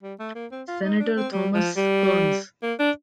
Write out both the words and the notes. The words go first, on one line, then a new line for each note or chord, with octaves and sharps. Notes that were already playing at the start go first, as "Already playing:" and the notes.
Senator Thomas Kearns.
G3
A3
A#3
C4
F4
D#4
D4
C4
G3
F3
G3
A#3
D4